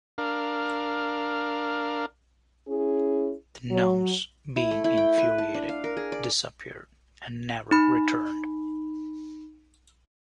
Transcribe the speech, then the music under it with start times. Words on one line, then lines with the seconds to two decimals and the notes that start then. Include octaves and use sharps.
The gnomes, being infuriated, disappeared and never returned.
0.18 D4 A#4 F5
2.68 C#4 E4 G#4
3.70 F#3
4.56 E4
4.71 A3
4.84 E4
4.97 G5
5.18 B4
5.38 A5
5.54 D4
5.69 F5
5.84 A#4
5.97 G#4
6.12 D5
7.71 D#4 B5